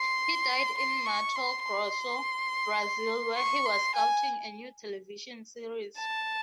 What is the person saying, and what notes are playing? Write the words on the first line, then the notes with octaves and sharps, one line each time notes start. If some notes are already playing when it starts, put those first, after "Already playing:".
He died in Mato Grosso, Brazil where he was scouting a new television series.
Already playing: C6
C6
C#6
C6
C6
C#6
C6
G#5
A5